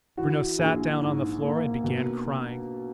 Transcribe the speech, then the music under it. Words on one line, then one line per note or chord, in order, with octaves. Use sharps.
Bruno sat down on the floor and began crying.
E3 F#4
A#1 G#4
G#2
A#3
B2